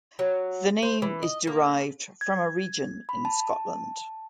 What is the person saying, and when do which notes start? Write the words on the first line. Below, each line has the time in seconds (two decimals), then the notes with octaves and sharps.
The name is derived from a region in Scotland.
0.19 F#3
0.82 C5
1.02 E3
1.23 D#5
1.47 A#3
2.21 G#6
3.09 B5
3.25 A5